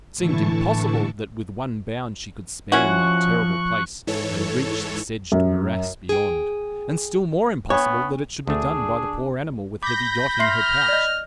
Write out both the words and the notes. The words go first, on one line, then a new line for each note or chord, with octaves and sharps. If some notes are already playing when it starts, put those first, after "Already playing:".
It seemed impossible that with one bound she could span that terrible place and reach the sedged morass beyond; and still more impossible that it should be done by the poor animal with heavy Dot in her pouch.
A2 D3 E3 E4 A5 C#6
F3 C#4 E4 F#4 C#6 F#6
G#2 E3 A4 C#5
F#2
G#4 G5
B3 D4 C#5 C#6
D2 A3 D4 G#4
B5 D6 G6 A#6
E5 C6 F6 C7
D5 D#5